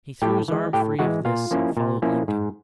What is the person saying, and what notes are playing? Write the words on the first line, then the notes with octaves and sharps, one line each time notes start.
He threw his arm free of this and followed Lincoln.
A2 G4 G5
E3 G#3
A2 G4 G5
E3 G#3 F#4 F#5
A#2 F4 F5
F3 A#3 C#4 E4
A#2
F3 A#3 C#4 E4
G#2